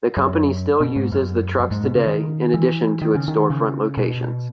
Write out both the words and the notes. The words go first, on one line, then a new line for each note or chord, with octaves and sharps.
The company still uses the trucks today in addition to its storefront locations.
F#2
B2
G#2
F#2
F#2
G#2
B2
C#3
D#3
E3
D#3
C#3
D#3
C#3
B2